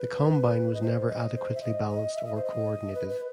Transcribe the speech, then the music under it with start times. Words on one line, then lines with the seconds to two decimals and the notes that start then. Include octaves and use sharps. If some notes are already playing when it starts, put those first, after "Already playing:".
The combine was never adequately balanced or co-ordinated.
Already playing: B4
0.74 D#5
0.82 C5
1.08 D#5
1.35 C5
1.55 E5
1.61 D#5
1.89 D#5
2.15 E5
2.25 D#5
2.35 C5
2.45 D#5
2.95 B4
3.09 B4